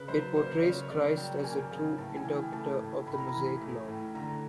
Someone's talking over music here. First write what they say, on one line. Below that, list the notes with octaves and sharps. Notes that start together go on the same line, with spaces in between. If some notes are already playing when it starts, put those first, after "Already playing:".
It portrays Christ as the true interpreter of the Mosaic Law.
Already playing: C#3 B4
F#3 C5
A#3 C5
C#3 C#5
C#3 D5
F#3 G5
A#3 G#5
C#3
A2 A5
G#5
E3
G5
A3 A5
A2
A2 B5
A#5
B5
E3
A3
A2
D3 A#5